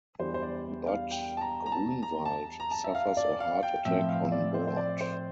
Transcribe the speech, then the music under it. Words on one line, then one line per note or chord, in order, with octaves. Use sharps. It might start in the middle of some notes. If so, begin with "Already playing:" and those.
But Gruenwaldt suffers a heart attack on board.
E2 E3 G3 D4 C5
C5
D5
F5
G5
A5
A#5
A#5
A5
A#5
A5
A#5
A5
E5
F5
D5
F5
G5
A2 F3 C4 E5
F5
D5
C5
C5
D5
C5